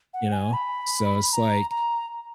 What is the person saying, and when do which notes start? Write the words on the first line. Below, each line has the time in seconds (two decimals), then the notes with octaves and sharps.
you know? So it's like,
0.14 F#5
0.32 G#5
0.53 B5
1.32 A#5
1.70 A#5